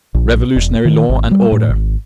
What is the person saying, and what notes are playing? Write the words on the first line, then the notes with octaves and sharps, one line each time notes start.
Revolutionary law and order.
A#1
E1
D#3
G#1
G3
A2
G#1